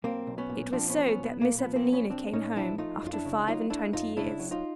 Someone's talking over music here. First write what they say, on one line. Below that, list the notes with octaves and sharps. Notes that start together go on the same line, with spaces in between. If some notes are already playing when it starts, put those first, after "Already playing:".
It was so that Miss Evelina came home, after five-and-twenty years.
B1 A#3 C4
B1
B3 C#4
A#2
F3 C4 D4
B3 C#4
B1
B3 C#4
B1
B3
A#2 A#3
B3
F3
A#3 C4
B1
B3 C#4
B1 C4 D4
A#2 C#4 D#4
F3 D4 E4
A3 D#4 F4
F#2 F4
D4 E4
C#3
F#3 D#4 F4
A3 D4 E4
F#2 D#4 F4
C#3 D4 E4
F#3
D#4 F4